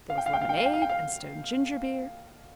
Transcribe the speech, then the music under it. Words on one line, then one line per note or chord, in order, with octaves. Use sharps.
There was lemonade and stone ginger-beer. . . .
F5
G5
F5
G5
F5
G5
F5
G5
F5
G5
F5